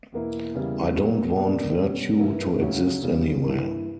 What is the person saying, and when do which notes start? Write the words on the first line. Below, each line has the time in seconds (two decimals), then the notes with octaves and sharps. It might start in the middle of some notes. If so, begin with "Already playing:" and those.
I don't want virtue to exist anywhere.
0.12 E2 B2 A#3 E4
0.54 E2 C#3 G3 A#3 E4
0.95 B2 F#3 A#3
1.36 B2 A#3 D4
1.78 B2 G3 C#4
2.19 G2 E3 A#3 E4
2.61 D2 C#3 F#3 C#4
3.02 E2 C#3 G3
3.44 G2 E3 A#3 E4